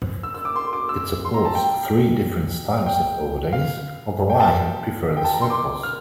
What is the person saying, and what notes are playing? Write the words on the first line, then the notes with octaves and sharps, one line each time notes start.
It supports three different styles of overlays, although I prefer the circles.
E6
E6
D6
C6
D6
E6
C6
A#5
A5
G5
G5
F5
G5
A5
G5
A5
A#5
C6
D6
F6